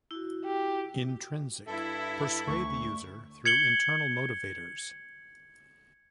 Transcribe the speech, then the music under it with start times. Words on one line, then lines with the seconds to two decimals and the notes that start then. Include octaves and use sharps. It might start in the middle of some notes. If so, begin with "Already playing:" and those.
Intrinsic: Persuade the user through internal motivators.
0.11 E4 F#4
0.45 G4
1.67 G2 E4 A4 E5
2.47 D2 C#6
3.45 G#6 C#7 F#7 G7